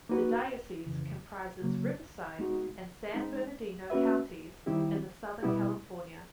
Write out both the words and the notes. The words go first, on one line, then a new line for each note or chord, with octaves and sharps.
The diocese comprises Riverside and San Bernardino Counties in the Southern California.
A#3 D#4 F#4 B4
F2 C#3 E3
C#3 F#3 A#3
G#3 B3 D#4 F#4
G#3 C4 D#4
A#3 C#4 F#4 B4 E5
D#3 G3 C4 E4 G4
B2 G3 B3 E4 G4